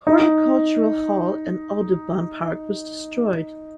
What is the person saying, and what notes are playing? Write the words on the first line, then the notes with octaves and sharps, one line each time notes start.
Horticultural Hall in Audubon Park was destroyed.
D#4